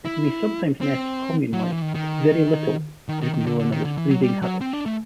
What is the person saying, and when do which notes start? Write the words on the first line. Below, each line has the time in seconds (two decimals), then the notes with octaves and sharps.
It may sometimes nest communally, but very little is known of its breeding habits.
0.05 E4
0.81 C4
1.53 F#3
1.63 F3
1.73 E3
1.82 D#3
1.95 D#3
3.09 D#3
3.21 D#3
3.34 D#3
3.47 D3
3.60 D3
3.72 D#3
3.85 D3
3.98 E3
4.10 F#3
4.23 G3
4.42 F#3
4.61 C4
4.73 D4
4.86 A3